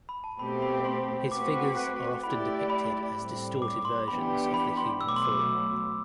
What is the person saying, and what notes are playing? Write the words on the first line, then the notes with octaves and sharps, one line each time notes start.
His figures are often depicted as distorted versions of the human form.
B5
A5
B2 A3 C4 G4 B5
B5
C6
A3 C4 F#4 B4 D6
F#6
A3 E4 G4 D5 B5
B5
A2 G3 C4
D6
C6
E3 B3 D4 G4 B5
B5
C6
B2 F#3 A3 E6
D6
C6
D6